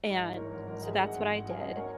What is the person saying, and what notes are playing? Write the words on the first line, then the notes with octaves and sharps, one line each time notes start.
and so that's what I did.
G#2
E3
E3 A#4 C#5
G#1 A#4
G#1 A#4
G#1 G#4
E5
G#2 D#5 F#5
G#1
D#3
F#2 G#5
F#2 D#5 F#5
A#3 A#4 C#5